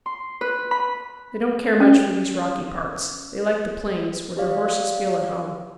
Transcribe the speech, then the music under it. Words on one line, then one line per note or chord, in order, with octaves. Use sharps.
"They don't care much for these rocky parts; they like the plains, where their horses feel at home."
C6
B4
B5
C#4
G4 C#5 D5 F5